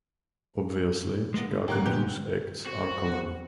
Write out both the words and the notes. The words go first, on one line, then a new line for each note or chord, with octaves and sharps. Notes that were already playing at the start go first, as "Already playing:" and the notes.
Obviously, Chicago blues acts are common.
G#3 A#3 B3
D3
A1 A#3 G4 F#6
A#2 D3 B3 G4
C4 F#4